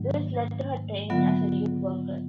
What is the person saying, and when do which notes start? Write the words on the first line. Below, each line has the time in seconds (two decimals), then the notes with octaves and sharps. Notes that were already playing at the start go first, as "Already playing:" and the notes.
This led to her training as a youth worker.
Already playing: G#2 D#3 F#3 A#3 D4
1.10 D3 F#3 B3 F4